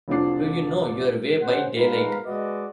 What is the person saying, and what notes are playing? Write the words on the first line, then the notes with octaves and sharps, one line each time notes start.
Do you know your way by daylight?
F1 C2 F3 C4 D4 C7
C#4 C5 F#5
G#2 A#4 B4 F5
G#3 F#4 B4 D5 D#5